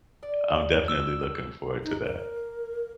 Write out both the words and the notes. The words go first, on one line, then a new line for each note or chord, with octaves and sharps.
I'm definitely looking forward to that.
D5
E6
D#4
A#4